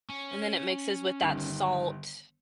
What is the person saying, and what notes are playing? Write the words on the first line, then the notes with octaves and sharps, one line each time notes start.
And then it mixes with that salt.
C#4
G1 D#3